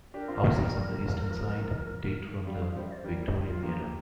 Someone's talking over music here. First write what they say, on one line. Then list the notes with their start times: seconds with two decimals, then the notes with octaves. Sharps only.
Houses on the eastern side date from the Victorian era.
0.14 D4 G4 A#4
0.28 C4 F4
0.42 C4 F4
0.58 G3
0.72 G3
1.30 F3
1.60 F3
2.47 G3 F5
2.62 F3
2.75 G3 C5
2.83 F5
2.91 D5
2.98 C5
3.04 G3 A#4
3.24 G4
3.44 F4
3.63 F3 A#3 G4